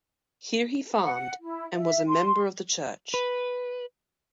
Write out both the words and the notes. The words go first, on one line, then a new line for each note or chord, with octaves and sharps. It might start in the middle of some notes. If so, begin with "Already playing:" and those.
Here he farmed and was a member of the church.
F#5
E4
E5
C6
B4